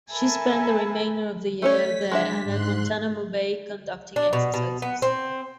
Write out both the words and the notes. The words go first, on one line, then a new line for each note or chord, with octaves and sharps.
She spent the remainder of the year there and at Guantanamo Bay conducting exercises.
A4 A#4 E5 G#5 A5 B5
A3 C#4 C#5 B6
G#3 D4 E5
G#2 C6 F#6
D4
B2
B2
B3
C4